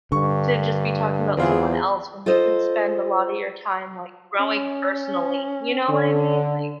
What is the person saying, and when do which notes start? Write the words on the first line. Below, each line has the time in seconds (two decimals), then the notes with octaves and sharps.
to just be talking about someone else when you could spend a lotta your time, like, growing personally, you know what I mean? Like
0.12 G2 D3 C#6
1.37 E2 C4 F4 G#4
2.26 F4 A4 C5 D#5
4.40 C#4
5.89 D3